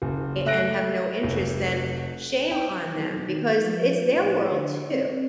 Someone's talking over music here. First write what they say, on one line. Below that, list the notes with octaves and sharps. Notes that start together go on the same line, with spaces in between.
and have no interest then, shame on them, because it's their world too.
F#1
A3 E5 F#6 A#6 D7
F1
G5
B1
D#3
F3
A2
D3
C4